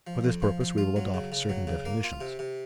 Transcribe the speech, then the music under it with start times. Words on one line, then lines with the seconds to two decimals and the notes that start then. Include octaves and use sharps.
For this purpose we will adopt certain definitions.
0.07 F3
0.24 F2
0.42 F3
0.61 F3
0.78 F4
0.96 F#3
1.14 C#3
1.32 C#3
1.49 F#3
1.67 C#3
1.85 A#3
2.04 F4
2.21 C3
2.39 C3